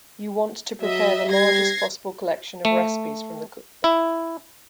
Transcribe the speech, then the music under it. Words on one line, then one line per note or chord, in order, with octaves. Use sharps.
You want to prepare the largest possible collection of recipes from the cook-book.
F#3 D#5 E5
G3 G#6 A#6 C7
A3
E4